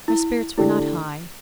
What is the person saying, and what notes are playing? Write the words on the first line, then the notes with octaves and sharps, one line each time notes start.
Her spirits were not high.
E4
D3 A3 D4 E4 G4